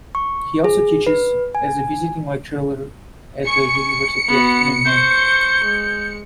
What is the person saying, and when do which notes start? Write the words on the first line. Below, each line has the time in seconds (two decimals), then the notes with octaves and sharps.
He also teaches as a visiting lecturer at the University of Mannheim.
0.15 C#6
0.64 G#4
1.07 B4
1.55 G#5
3.46 G#5 C#6 C#7
4.28 B3 F#4
4.85 C5 C#6 G6
5.63 G#3